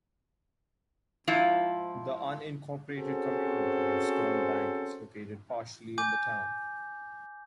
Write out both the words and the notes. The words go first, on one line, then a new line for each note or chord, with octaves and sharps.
The unincorporated community of Stone Bank is located partially in the town.
G#2 F3 E4 F4
C4 C#4 F#4 G#4 A4 C5
G#5 D6 G6